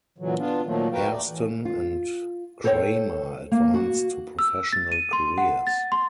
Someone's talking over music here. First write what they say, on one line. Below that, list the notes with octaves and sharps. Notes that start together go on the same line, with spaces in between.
Hairston and Kramer advanced to professional careers.
A#2 D3 E3 F#3
B3 D4 F4
A#2 D#3 F3 F#3 A3 A#3
F#4 A#4 B4 F5 G5
D#2 A3 D5
A2 E3
F4
A4 C5 C#5 F#5 G5
A#3
F#4
E6
A6
D#7
C6
F#5
A6
C6